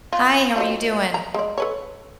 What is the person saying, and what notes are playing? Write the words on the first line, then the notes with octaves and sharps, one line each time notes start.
Hi, how are you doing?
F4
F3 F#3 D#4
A#5
G#3 D5
A4 B4 C#5